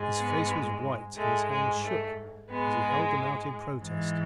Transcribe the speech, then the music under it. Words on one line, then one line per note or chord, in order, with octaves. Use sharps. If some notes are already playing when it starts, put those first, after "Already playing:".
His face was white and his hands shook as he held them out in protest.
Already playing: G#2 G#3
B3
G#2 G#3 A3
G#3
A3
G#2 G#3 B3
G#2 E3 G#3